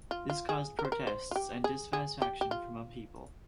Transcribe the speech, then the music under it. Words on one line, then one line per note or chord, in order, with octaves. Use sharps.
This caused protests and dissatisfaction from people.
F4
F4
G#4
A#4
C5
A#4
C5
F4
G4
G#4
G#4
G4
G4
F4